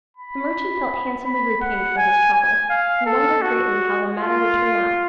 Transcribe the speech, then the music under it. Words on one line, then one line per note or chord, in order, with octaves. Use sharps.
The merchant felt handsomely repaid for his trouble, and wondered greatly how the matter would turn out.
B5
B5
F#5
G#5
G#5
F5
A4
F#4
F4